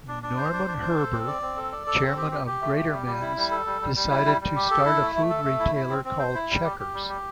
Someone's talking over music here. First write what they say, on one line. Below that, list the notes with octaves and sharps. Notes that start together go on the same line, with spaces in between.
Norman Herber, chairman of Greatermans decided to start a food retailer called Checkers.
D4
D4
C5
D4
D4
C5
A4
C4
D5
C4
A4
D5
A4
C4
G4
G4
G4
A3
G4
G3
G3
E4
G3
A4
G3
G3
G3
E4
G3
G3
G4
A4
E4
A3
A3
A4
A3
E4
E4
C4
C4
C5
E4
G3
G4
G4
G3
G4